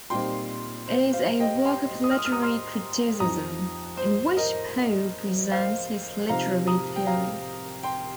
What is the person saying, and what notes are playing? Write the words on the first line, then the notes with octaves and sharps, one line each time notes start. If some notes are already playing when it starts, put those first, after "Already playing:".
It is a work of literary criticism, in which Poe presents his literary theory.
A#2 G3 C4 D#4 G5 C6
C5
C5 F5
D#5 G5
G5 C6
D#6
F6
D#6
F6
A#5 D#6
C6 F6
F2 F3 C4 D#4 A#5 D#6
C5
A#4 D#5
C5 F5
C3 F3 C4 D#4 F5 A#5
A#5 D#6
G5
F5 A#5
G5 C6